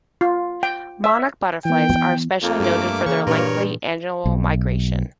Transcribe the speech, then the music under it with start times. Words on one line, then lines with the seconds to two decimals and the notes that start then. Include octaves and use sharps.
Monarch butterflies are especially noted for their lengthy annual migration.
0.21 F4
0.63 G5
1.04 E5
1.65 E3 B3 G5
2.43 F2 A#3
2.60 G2 A3 D6
3.06 C#3 E3 G#4 C#6
3.27 G2 A#2 A#4 C#5
4.26 B1